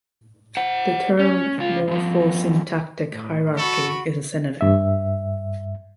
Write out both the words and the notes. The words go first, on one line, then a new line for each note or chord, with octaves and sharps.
The term "morpho-syntactic hierarchy" is a synonym.
C5 F#5
C#4
C#2 F4
G2 F3
A2
F#4 A4 B5 C#6
G2 E5